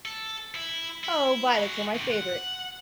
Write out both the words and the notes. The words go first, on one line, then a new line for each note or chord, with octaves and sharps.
Oh violets are my favourite!
A4
E4
E4
G#3 F#4
D#2 C3
F#5